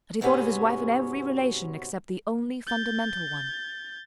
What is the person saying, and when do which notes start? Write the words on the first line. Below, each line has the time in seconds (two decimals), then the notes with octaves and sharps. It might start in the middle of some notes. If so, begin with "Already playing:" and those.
And he thought of his wife in every relation except the only fundamental one.
0.21 G#2 C3 F#3 B3 C#4
2.67 G6 A6